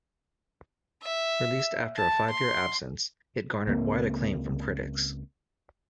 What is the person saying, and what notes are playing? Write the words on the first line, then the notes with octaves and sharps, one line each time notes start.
Released after a five-year absence, it garnered wide acclaim from critics.
E5
A5
C6
C#2 A#3 C4